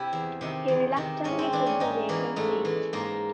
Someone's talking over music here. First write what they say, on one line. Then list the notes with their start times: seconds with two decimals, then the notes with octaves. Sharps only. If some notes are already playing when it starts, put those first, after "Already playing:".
He reluctantly took the vacant seat.
Already playing: C3 E4 G4
0.13 E2
0.41 C3 D#3
0.68 E2
0.96 C3 D#3
1.24 G#2 C#4
1.39 C4
1.53 E3 D4
1.66 C#4
1.80 G#2 D#4
2.09 E3 A#3
2.36 G#2 A3
2.65 E3 A3
2.93 G#2 A#3